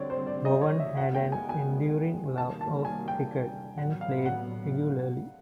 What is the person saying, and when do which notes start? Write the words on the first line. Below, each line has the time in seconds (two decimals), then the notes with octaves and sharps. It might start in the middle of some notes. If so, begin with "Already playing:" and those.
Bowen had an enduring love of cricket, and played regularly.
Already playing: D3 G3 C4 C#5 D5
0.10 C5
0.27 D5
0.45 D#5
0.61 C#5
0.80 E5
0.97 D#3 G#3 B3 F#5
1.15 G5
1.32 G#5
1.49 G#5
2.37 C3 D#3 G3 A#3 A5
2.61 A5
2.85 G#5
3.08 G5
3.78 A2 F#3 B3 F#5
4.01 F5
4.26 F#5